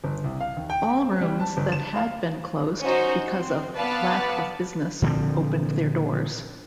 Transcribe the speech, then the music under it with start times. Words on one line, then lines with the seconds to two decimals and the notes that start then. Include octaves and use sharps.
Ballrooms that had been closed because of lack of business opened their doors.
0.04 G1
0.24 C2
0.41 F5
0.57 D#2
0.70 G5
1.02 C4
1.21 G3
1.40 A5
1.57 G1
1.72 E7
1.96 F5
2.81 C#4 D#4 F#4 C5
3.28 C4
3.77 B3 B4 D5 F5 A5
5.02 A#2 D3 F3 C4